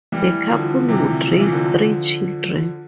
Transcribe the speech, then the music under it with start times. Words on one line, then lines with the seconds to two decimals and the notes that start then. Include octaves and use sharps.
The couple would raise three children.
0.12 E3 G3
0.50 D3 F3
0.88 C3 E3
1.27 F3
1.40 E3
1.52 D3 F3